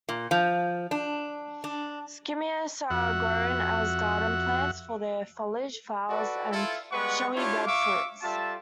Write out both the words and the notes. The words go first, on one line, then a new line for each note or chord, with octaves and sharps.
Skimmias are grown as garden plants for their foliage, flowers, and showy red fruits.
A#2
F3
D4
D4
F2 F#4 E5 F#5
F#4 A4 B4 D5
E4 F4 A4
G3 G#3 B3 B4 F#5 C#6
D4 E4 F4 G4 C#5
E5 F5 C#6 D6
G3 F4 A4 E5 A5